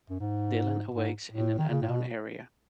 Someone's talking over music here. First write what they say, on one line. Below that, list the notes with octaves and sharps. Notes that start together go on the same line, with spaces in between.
Dylan awakes in an unknown area.
F#2
G#2
G#2
A2
D#3
C#3
A2
B2